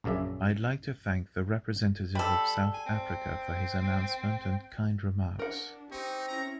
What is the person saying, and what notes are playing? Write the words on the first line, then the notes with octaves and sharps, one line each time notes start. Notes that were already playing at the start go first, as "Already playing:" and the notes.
I'd like to thank the representative of South Africa for his announcement and kind remarks.
A#1 F#2 C#3 D5 E5
G3 A4 B5
G#5
C4
D4 A#4 F#5
C4 D#4 G4 C#6
C#4 E4 A#5